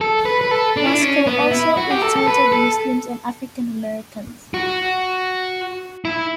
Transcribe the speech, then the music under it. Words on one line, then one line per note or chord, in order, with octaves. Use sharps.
Wasko also insulted Muslims and African-Americans.
A4
B4
B4
A4
D4
E4
D4
C#4
B3
E4
F#4
G4
A4
A4
B4
A4
F#4
E4